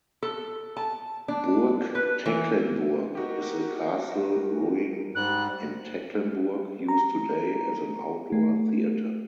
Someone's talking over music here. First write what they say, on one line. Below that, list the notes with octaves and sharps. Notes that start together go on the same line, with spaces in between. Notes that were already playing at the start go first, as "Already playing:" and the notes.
Burg Tecklenburg is a castle ruin in Tecklenburg, used today as an outdoor theatre.
A4
A5
D4
B4
E3
D#4 F#4 G4 A#4
G#2 G3 F#6
A#5
A3